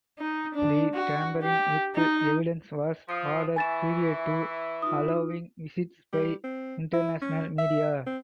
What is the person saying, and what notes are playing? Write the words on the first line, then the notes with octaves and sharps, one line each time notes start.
The tampering with evidence was ordered prior to allowing visits by international media.
D#4
D4
F#4
G4
D#4
F3 D#6
E3 E4 G#5 B5 C#6 A6 E7
D#4 F4 D#6
G3
C4
E4
C#4
E5
C4